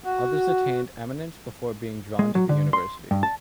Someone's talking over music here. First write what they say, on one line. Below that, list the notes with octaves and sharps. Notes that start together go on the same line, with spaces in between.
Others attained eminence before being drawn to the university.
F#4
G#3
F#3
D3
C6
G2
A5